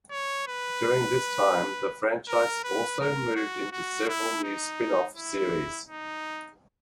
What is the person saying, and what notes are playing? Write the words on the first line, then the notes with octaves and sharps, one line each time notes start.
During this time, the franchise also moved into several new spin-off series.
C#5
B4
A#4
B4
A#4
F#4
F#4
E4
D#4
E4
D#4